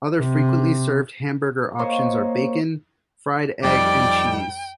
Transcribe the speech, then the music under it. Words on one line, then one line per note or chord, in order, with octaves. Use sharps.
Other frequently-served hamburger options are bacon, fried egg and cheese.
C3
A#3 C5 C#5 D#5
F2 G3 D#4 D5 G5